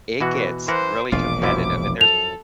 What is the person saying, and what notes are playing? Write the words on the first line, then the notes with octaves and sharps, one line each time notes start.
It gets really competitive, and there's
B2 E3 F#4
E3 A#4 C5 F#5
E1 A#1 B2 F4 D6
F#2 F3 E4
A4 F7